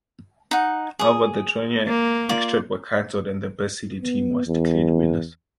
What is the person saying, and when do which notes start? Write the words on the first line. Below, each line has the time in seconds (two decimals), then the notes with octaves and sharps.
However the Torneio Extra was cancelled and the best seeded team was declared winners.
0.51 D#4 F#5
0.99 G#4 D#6
1.88 A#3
2.29 F4 D5
4.02 B3
4.47 E2